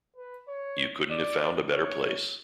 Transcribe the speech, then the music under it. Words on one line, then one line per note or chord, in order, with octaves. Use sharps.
You couldn't have found a better place.
B4
C#5
D5
C#5